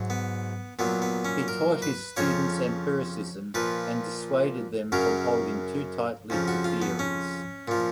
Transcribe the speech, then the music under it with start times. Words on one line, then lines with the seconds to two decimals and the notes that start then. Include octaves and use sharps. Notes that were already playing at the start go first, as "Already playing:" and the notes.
He taught his students empiricism and dissuaded them from holding too tightly to theories.
Already playing: G#2 F#3
0.10 B3
0.79 A#2 F#3 B3
1.02 B3
1.25 C#4
1.48 A#4
1.82 B4
2.17 F2 C#3 F3 C#5
3.54 A#2 F3 B4
4.92 F#2 C#3 F#3 A#4
6.30 F2 C#3 F3
6.48 F#4
6.64 F4
6.82 B3
6.99 C#4
7.68 A#2 F3